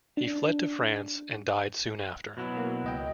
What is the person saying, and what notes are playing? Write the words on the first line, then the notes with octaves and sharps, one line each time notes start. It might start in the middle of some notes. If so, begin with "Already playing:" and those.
He fled to France and died soon after.
D4
B2 F#3 E4
A#3
C#2 D#5 G5